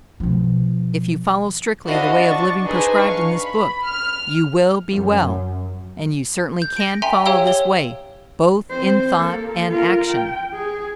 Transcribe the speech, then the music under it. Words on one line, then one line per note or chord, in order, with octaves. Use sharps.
If you follow strictly the way of living prescribed in this book, you will be well; and you certainly CAN follow this way, both in thought and action.
B2 F3
D4 E4 F#4 C5 D#5 F5
D4 C#6 A6
D4 D#4 G#4 B4 C5 D#5
F5 C#6
B5
F6
F#2
G6
A#6 D7
E5 G5 G#5 A#5 C6
G4 C#5 F5 G5 E6 G7
C#5 G7
C4 C5
A#3 A4
F4 A#4
G5
G#4